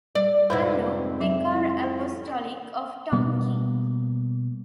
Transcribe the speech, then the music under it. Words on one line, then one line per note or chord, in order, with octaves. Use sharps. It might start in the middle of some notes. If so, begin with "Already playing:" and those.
Pallu, Vicar Apostolic of Tong King.
G3 D5
F2 G#2 C3 B4 C5 F#5
F#3 E5
E4
C5
B2 G3 A#3 B3